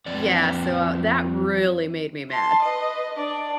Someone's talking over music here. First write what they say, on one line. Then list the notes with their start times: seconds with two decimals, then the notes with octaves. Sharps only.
Yeah, so, uh, that really made me mad.
0.06 F2 D5
2.30 A5 C6
2.62 B4 D#5
3.14 D4 D5